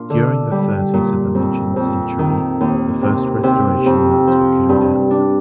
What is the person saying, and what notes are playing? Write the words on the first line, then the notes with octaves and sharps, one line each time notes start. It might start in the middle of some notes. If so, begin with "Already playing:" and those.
During the thirties of the mentioned century the first restauration works were carried out.
Already playing: A#2 D4 F4
D3
G3
A#2
F2
F2
D#3
D#2
C3
C3
F2
F3
G2
D4